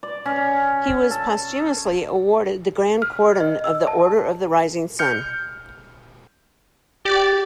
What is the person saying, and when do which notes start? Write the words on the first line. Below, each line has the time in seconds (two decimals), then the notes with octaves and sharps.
He was posthumously awarded the Grand Cordon of the Order of the Rising Sun.
0.03 D5
0.26 C#4
1.11 A4
3.02 F6
3.40 D#5
3.64 E6
3.87 A5
4.99 F6 G6 C#7
7.05 G4 D5